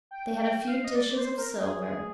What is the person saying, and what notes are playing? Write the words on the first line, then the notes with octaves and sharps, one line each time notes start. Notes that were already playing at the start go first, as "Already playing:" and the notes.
They had a few dishes of silver.
G5
G5
F5
D#5
D5
C5
A#4
G#4
G#4